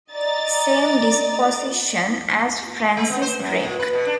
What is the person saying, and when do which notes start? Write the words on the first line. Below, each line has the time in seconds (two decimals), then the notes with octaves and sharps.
Same disposition as Francis Drake.
0.13 D5 D#5 A#5 A6
2.97 G#3
3.10 B3
3.22 C5
3.39 F#2
3.64 A#2
3.80 B4
3.93 B2
4.06 D4